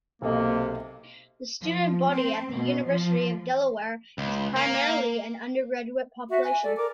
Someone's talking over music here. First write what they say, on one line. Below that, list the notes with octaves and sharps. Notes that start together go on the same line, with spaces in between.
The student body at the University of Delaware is primarily an undergraduate population.
B1 C3 A#3 A4 D#5
F3
C4
B2
F3
C#2
A#3
F#4 E5
G#5
A4 D5
A#4 D6